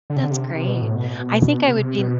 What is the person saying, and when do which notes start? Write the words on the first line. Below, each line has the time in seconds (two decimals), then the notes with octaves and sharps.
That's great, I think I would be
0.10 D3
0.16 C3
0.23 D3
0.31 C3
0.55 C3
0.68 B2
0.82 A2
0.96 B2
1.67 C3
1.98 B2